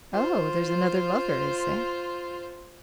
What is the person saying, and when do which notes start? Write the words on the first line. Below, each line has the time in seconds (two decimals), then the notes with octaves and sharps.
"Oh, there's another lover, is there?"
0.13 F4 C5